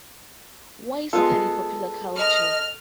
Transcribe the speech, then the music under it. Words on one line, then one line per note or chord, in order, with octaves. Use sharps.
Why Study Popular Culture?
G#3 B3 F4 A4
D#5 F6